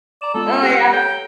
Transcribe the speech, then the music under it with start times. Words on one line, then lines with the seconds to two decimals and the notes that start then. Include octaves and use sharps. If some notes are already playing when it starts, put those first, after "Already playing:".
Oh, yeah.
0.22 D5 A#5 E7
0.35 G#3 B3 F4 A4
0.63 G4 F#5 G5
0.93 A4 C#5 G5 A#5